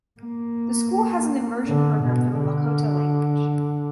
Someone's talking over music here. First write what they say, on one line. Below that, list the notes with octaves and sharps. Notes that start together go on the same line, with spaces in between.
The school has an immersion program for the Lakota language.
A#3
D3
B2
D3